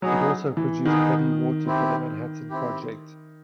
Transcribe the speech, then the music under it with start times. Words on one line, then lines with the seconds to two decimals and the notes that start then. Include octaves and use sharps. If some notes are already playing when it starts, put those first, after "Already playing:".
It also produced heavy water for the Manhattan Project.
0.02 F#3 B3 D#4 G#4
0.57 E3
0.85 D#3 B3 D#4 G#4
1.67 C4 E4 G4
2.50 C4 E4 G4